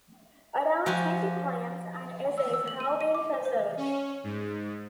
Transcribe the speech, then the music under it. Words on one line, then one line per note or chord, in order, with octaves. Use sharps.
Around twenty poems and essays have been preserved.
F3 F#4 G4 G#5
E6
E6
F#7
D#7
D#7
D6
C5
C5
C#4
G#2